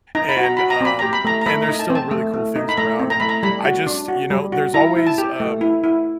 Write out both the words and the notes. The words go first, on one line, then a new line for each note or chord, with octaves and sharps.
And, um, and there's still really cool things around, and I just you know, there's always, um,
D#4 A#5
B5
F#4
A#5
F#4 B5
A#5
C4 B5
G4 A#5
B5
A3 A#5
A#5
A3 B5
A#5
D#4
A5
C4
A5
A3
A3
D#4
B5
A3 A#5
C4
A#5
A3 B5
A#5
G3 B5
F#4
D4
F#4
G3
F#4
E4 A#5
E4
A5
G4
A3
E4
E4